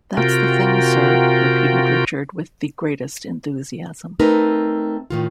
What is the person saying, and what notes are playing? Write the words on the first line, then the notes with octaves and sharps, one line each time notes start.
"That's the thing, sir," repeated Richard with the greatest enthusiasm.
C3 F4 F#4 A#4 G5
A3 C4 D#4 A#4 B4
A2 D#3 F4